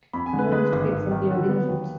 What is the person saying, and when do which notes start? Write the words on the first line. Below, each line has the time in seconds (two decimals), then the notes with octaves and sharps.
Most kits include engines.
0.13 F2 B5
0.26 G#5
0.33 D3
0.39 B4
0.52 G#3 B4
0.72 G#1
0.92 G#1
1.11 D#3
1.30 D3
1.48 B3
1.68 D#2